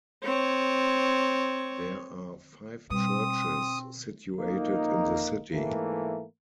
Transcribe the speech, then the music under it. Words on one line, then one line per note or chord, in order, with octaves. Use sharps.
There are five churches situated in the city.
C4 C#5
B2 G3 C4 D#6
F2 A#3 D#4
G#2 E3 A3 A#3